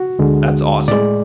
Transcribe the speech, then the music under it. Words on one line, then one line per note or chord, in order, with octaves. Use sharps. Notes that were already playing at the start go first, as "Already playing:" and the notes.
That's awesome.
Already playing: F#4
D2 D3 G#3
A2 G#3 D5